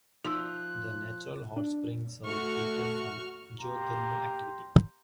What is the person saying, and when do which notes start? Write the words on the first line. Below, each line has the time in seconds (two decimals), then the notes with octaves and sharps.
The natural hot springs are heated from geothermal activity.
0.25 F3 D#4 C6 E6 F#6
1.57 D4
2.27 A3 F#4 C#6 F6
3.60 A#3 G4 A#5 C6